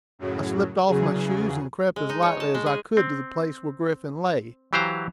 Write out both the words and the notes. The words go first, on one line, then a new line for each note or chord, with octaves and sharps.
I slipped off my shoes, and crept as lightly as I could to the place where Griffin lay.
F#2 A2 C#3 F#3
E2 C#3 F#3 G#4
G#3
D#4
C#5
A5
G#3
G#4
C4
E3 F#3 G4 C5 F5 A#5